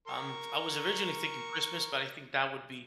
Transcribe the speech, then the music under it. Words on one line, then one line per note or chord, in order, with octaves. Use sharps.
Um, I was originally thinking Christmas, but I think that would be
A#4 C#6